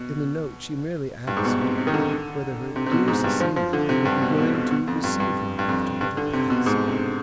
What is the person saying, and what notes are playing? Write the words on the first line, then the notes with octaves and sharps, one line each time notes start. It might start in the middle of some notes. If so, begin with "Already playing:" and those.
In the note she merely asked whether her "dear Cecilia" would be willing to receive her after what had passed.
Already playing: B2
G2
G#2
B2
C3
C3
D#3
D3
C3
C3
B2
G#2
G2
F3
F3
D3
C3
G2
B2
B2
B2
B2
F2
G2
G2
G2
F2
G2
D3
C3
B2
G#2
C3